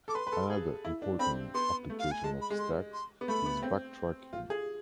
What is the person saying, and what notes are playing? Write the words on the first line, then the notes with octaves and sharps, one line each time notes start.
Another important application of stacks is backtracking.
A4 D6
B4 C6
B4
A4
G#4
E4
D4
C4 B5
B3 C6
A3
F5
G#5
G#3 A5
B5
G#3
C6
C6
B3
A3 B5
B3
C4
F4
G#4